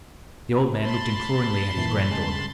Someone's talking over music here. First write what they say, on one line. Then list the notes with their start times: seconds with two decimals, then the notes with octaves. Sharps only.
The old man looked imploringly at his granddaughter.
0.80 A5 B5 C6
1.77 A#2 E3 C7
2.11 G2 C#3 G#3